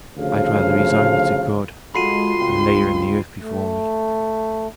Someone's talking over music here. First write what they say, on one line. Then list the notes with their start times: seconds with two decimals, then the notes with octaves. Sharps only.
I'd rather resign her to God, and lay her in the earth before me.'
0.17 D2 C#3 F3 F5
1.95 G#3 F4 F#4 A4 B5 C6 C7 D#7
2.39 C#2 G2 C4 F5
3.40 A3